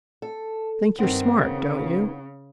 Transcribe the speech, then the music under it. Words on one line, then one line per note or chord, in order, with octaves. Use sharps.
Think you're smart, don't you?
A4
G2 D#3 B3 C4
C#3